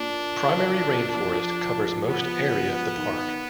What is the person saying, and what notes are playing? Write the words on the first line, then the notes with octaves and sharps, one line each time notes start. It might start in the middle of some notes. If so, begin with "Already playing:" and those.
Primary rain forest covers most area of the park.
Already playing: A#2 D4
F3
B3
D#3